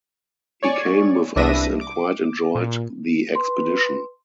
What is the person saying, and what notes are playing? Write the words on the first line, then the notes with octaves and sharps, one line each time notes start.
He came with us and quite enjoyed the expedition.
C#5 D5 G#5 C#6
C2 D4 B4 E5 A#6 D#7
D6
A#2
B4 C6